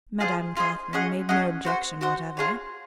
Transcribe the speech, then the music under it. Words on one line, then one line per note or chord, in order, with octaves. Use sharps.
Madame Catherine--made no objection whatever.
F4 G#4 C5 D#5
F4 G#4 C5 D#5
C#4 G#4 D#5 F#5
C#4 G#4 D#5 F#5
F#4 C5 F#5
F#4 C5 F#5
F4 G#4 C#5